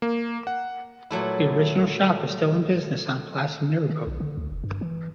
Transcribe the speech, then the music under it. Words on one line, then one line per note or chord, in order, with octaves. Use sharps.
The original shop is still in business on Place Mirabeau.
A#3
F#5
A#2 F#3 A3 E4
D#3
B1
D3
D2
F1
G2
E3